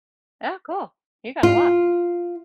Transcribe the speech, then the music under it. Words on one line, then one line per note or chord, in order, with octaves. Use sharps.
Oh, cool. You got a lot.
F4